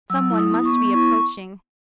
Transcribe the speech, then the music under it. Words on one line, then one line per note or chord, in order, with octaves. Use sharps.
Some one must be approaching.
F#3 E6
E4
D#6
B3
C#6
B3
E4 C#6